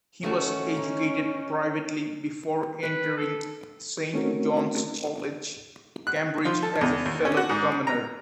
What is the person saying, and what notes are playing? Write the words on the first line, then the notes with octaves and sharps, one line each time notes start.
He was educated privately before entering Saint John's College, Cambridge as a fellow commoner.
D#3 A3 C#4 F#4
D#4
B4
A4
A3 C4 C#4 D#4 F#4 A#4
F#6
F3
A4
E2
D#2
C#4
F#4
G#2
A#5